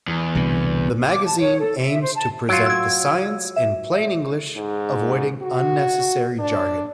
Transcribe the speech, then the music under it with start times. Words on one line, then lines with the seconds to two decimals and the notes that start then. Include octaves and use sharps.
The magazine aims to present the science in plain English, avoiding unnecessary jargon.
0.08 E2
0.35 C2 B2 D3
1.07 D6
1.25 A5
1.38 C#5
1.59 A4
1.79 E5
2.01 C5
2.15 A5
2.49 F#3 F4 D7
2.66 E6 G#6
3.56 E5
4.56 G#2
5.42 F#4
6.39 D4